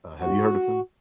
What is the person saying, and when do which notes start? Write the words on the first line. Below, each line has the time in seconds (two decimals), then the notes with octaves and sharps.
Uh, have you heard of him?
0.19 D#2 F#4